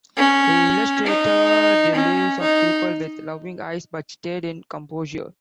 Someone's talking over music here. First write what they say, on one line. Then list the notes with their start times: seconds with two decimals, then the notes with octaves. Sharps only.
He illustrated the lives of people with loving eyes, but stayed in composure.
0.17 C#4
1.06 D#4
1.95 C#4
2.40 D#4